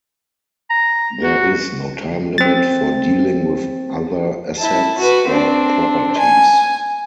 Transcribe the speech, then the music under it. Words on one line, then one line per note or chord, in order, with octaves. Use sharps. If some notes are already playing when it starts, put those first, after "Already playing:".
There is no time limit for dealing with other assets or properties.
A#5
F#4
C4 A6
E4 A5
F#4 B4
C4 D4
G#5